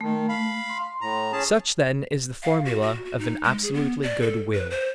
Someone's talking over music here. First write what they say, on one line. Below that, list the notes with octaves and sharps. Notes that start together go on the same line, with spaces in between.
Such then is the formula of an absolutely good will.
D#3 A3
F5 B5
C6
A2 A#5
C#4 G#4 A5
F5
F#4
F#4
F#4
D#4
G#3
G#4
B3
D5
A4
B4
C5